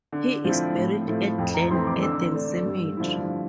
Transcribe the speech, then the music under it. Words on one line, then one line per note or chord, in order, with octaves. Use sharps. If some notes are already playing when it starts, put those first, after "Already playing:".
He is buried at Glen Eden Cemetery.
D3
F3 C4 E4
A2
F3 A3 E4
F2 G5
A#5
E3 A3 C4 E4 C6
D6
D3 E6
A3 D4
G2
D3 F3 A3 E4